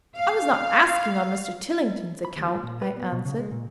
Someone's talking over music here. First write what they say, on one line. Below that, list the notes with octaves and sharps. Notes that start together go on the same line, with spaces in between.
'I was not asking on Mr. Tillington's account,' I answered.
F5
B5
D#2
F4
A#2
B4
B3
B2
C#3
G#3
A#2